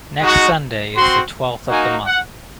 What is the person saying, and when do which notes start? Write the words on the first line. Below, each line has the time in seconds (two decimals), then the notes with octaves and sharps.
Next Sunday is the twelfth of the month.
0.21 G#3 D#4 F#4
0.95 C4 F#4 C6
1.69 A#3 D#4 F#4 G#5
2.06 F#5